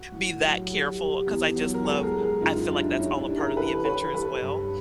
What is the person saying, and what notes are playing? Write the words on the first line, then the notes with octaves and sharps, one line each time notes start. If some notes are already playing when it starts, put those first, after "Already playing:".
be that careful 'cause I just love I feel like that's all a part of the adventure as well,
Already playing: F#4
A2
F#3
G3
G3
E2
F#3
A#4
G#3 G4 A4
G#4 A#4
G#3
G#4 A#4
F#2 D#4 F4
G3 D4 E4
E4
G3 C#4 D#4
D4 E4
G3
G#4 A#4
E3 A4 B4
E3 B4 C#5
G3 A4 B4
G2